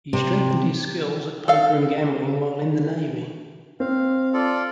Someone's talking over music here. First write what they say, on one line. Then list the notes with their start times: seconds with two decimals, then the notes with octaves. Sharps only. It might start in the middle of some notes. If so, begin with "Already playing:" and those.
He strengthened his skills at poker and gambling while in the Navy.
0.13 C3
1.48 A4 F5
3.80 C4 F5
4.33 F4 A4 D5